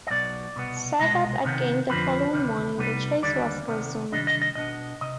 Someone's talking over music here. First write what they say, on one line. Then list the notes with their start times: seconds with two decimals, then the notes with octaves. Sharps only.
Sighted again the following morning, the chase was resumed.
0.07 D#5
0.10 B1 B2 B3 D5
0.56 C2 B2 B3
0.99 C2 B2 G#3 B3 D#5
1.45 C3 D#3 B3
1.89 F2 D3 F3 C4 B4
2.33 D2 C3 D#3
2.78 C2 C3 G3 B3 D#4 B4
3.22 D#2 D3 G3 D5
3.68 C3 D#3 B3
4.12 C3 D#3 G3 D4 D#5
4.27 D#5
4.42 D#5
4.55 B2 B3 D4 D#5
5.01 C3 D#5